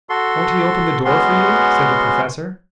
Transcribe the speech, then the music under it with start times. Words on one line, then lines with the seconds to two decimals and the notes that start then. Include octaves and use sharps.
"Won't he open the door for you?" said the Professor.
0.09 F#4 A4 C6
1.05 G#3 B3 C#4 F#4 C6